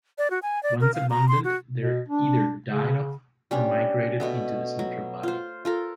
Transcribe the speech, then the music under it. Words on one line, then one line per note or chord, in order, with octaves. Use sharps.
Once abundant, they either died off or migrated into the Central Valley.
D5
F#4
G#5
D5
A#4
F5
A#5
C6
F#4
B2
D4
C#3
G3 C#4 D4
B2 A3 B3
F#3
F4 C5
F4 A4 A#4